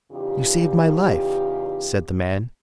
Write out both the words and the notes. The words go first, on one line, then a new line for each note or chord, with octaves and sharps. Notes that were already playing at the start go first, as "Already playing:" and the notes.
"You saved my life," said the man.
E2 C#3 D#4 F4 G4